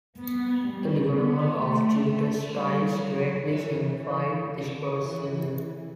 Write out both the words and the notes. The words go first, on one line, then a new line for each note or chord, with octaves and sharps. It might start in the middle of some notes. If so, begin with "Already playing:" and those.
The development of geotextiles greatly simplified this procedure.
B3
G3
B3
A3
A3
G3
F#3
E3
E3
D3
E3